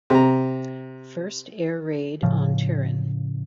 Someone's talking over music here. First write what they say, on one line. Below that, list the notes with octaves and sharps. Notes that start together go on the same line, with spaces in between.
First air raid on Turin.
C3 A#5
A2 C#3 F3